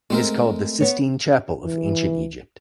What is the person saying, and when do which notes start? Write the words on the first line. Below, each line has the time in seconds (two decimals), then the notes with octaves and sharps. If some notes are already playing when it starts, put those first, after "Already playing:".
It is called the Sistine Chapel of Ancient Egypt.
0.10 G#3 A3 C4 A#4
0.80 B3 C#5
1.65 E3